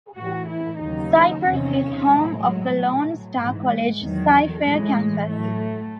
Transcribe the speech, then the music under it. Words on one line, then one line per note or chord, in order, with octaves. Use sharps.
Cypress is home of the Lone Star College-CyFair campus.
A2 E3 F#4
E4
D#2 C#3 F#3 D#4
E2 C3 D#3 C#4
A2 F#3 G#3
F#3
A2 F#3
G#2 E3
E2 D#3 F#3
A2 E3 G#3
A2 F#3 A3